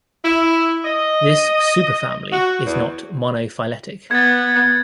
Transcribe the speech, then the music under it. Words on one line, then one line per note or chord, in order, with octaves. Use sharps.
This superfamily is not monophyletic.
E4
D#5
F#4
E2
B3 G#6 A6